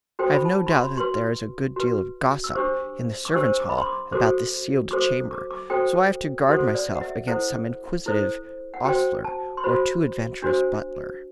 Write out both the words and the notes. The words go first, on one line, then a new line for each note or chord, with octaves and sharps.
"I have no doubt that there is a good deal of gossip in the servants'-hall about this sealed chamber, so I have to guard myself against some inquisitive ostler or too adventurous butler."
F#4 A4 C5 G5
B5
A5
B5
C6
F#4 B4 C6
F#4 B4
E6
D4 G4 C5 D6
D6
D4 G4 C5 E6
D6
B5
C6
D6
F#4 A4 C5 D6
F#4 A4 C5 D6
D6
D6
F#4 A4 C5 G5
F#4 A4 C5 F#5
D5
F#5
E5
E4 A4 C5 F#5
E4 A4 C5
F#5
F#4 C5 G5
A5
C6
F#4 C5 B5
D4 F#4 C5